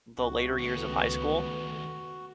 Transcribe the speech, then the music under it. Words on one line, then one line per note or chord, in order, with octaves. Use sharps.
the later years of high school,
C#2 F#4
D#2 A3 B3